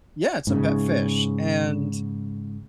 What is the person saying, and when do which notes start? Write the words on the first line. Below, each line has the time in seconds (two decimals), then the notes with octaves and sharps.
yeah, it's a pet fish, and
0.47 G#2 C#3